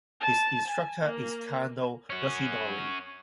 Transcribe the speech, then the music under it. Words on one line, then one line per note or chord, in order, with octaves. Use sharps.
His instructor is Kano Yoshinori.
A5
G#5
A#3
C#4 F#4